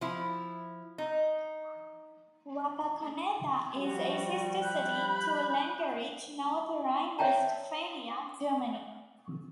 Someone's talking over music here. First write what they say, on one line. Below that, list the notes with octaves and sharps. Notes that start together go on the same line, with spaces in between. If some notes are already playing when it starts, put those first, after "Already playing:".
Wapakoneta is a sister city to Lengerich, North Rhine-Westphalia, Germany.
F3 E4
D#4
F3 G3 F#4
B5 F#6 G6
C#5 D5 E5 G5 A5 A#5